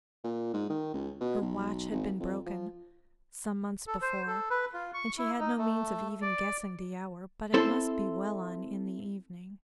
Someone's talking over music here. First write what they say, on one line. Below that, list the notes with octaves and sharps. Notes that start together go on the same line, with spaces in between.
Her watch had been broken some months before, and she had no means of even guessing the hour, but it must be well on in the evening.
A#2
G#2
D#3
C#2
B2
B1
G#1
F2
F3
A4
C5
A4
B4
F4
C#6
E4
D#4
A3
D5
C4 E4 A4 C5